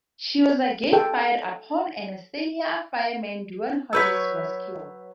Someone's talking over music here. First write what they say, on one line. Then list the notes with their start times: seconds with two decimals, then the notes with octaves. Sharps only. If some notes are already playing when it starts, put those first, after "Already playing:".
She was again fired upon, and a sailor, fireman Duane Hodges, was killed.
0.93 A4 G5
3.93 F#3 B4 C#5 E6 G6 B6